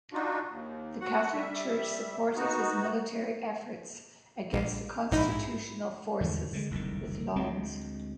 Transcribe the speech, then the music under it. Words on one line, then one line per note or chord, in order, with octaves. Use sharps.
The Catholic Church supported his military efforts, against the constitutional forces, with loans.
D4 D#4 F4 F#4
D#2
F#4 F#5
G3 E5
B3 D#4 F#4
A#1
A#1 G#2 D#4 E4
E2 G#2 D3 E3
D3 D#3 F3 G#3
F#1 C2 F2 D#3
D2 G#3 C4